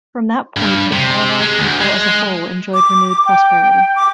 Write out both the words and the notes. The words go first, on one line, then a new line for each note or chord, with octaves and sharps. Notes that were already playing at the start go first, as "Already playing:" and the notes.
From that point the Paravar people as a whole enjoyed renewed prosperity.
G2
C3
G#3
D2
G#3
D6
G5
D6